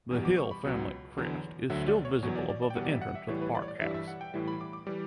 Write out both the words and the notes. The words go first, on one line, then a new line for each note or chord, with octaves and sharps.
The Hill family crest is still visible above the entrance to the park house.
E2 B2 G3
D6
C#6
B5
C#2 B2 F#3
E2 D3 F#3
D2 D3 F#3 E5
D5
C#5
E2 B2 F#3 C#5
D5
D5
D5
G5
E2 B2 G3 F#5
D5
E5
F#5
E5
A2 E3 G3 C#5
B4
D5
C#5
D5
G2 E3 G3 E5
E5
F#5
G5
A2 E3 G3
B5
D6
D6
E3 G3 D6